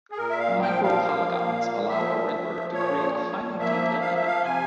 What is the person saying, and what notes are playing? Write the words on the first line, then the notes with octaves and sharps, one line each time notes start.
Micropolygons allow a renderer to create a highly detailed image.
G#4
A#2 A#4
E5
F5
F3 G5
F5
A#3
A#2
F3 E5
F3
A#2 C#5
F3
A#3 E5
F3 F5
E5
F5
C3 G#5